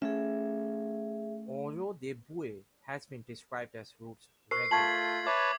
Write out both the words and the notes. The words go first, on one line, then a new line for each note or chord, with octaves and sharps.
Ojo de Buey has been described as roots reggae.
A3 C#4 G#4 E5
A#4 C5 C#6 C7
A3 F4 A5 C#6 G#6 B6 F#7
B4 C#5 E5 A5 D6